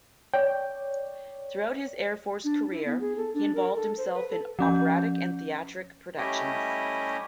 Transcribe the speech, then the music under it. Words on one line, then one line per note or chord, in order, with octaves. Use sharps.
Throughout his air force career, he involved himself in operatic and theatric productions.
C#5 D5 G5
D4
E4
B3
G#4
A4
D4
A#4
A4
C5
B4
A4
F3 C#4 G6
G3 A3 C#4 E4 G4 D#5